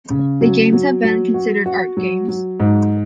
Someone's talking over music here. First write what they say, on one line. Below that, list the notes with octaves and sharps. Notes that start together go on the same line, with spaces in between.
The games have been considered art games.
C#3
F#3
F#3
F#3
F#4
F#4
F#3
F#3
G#2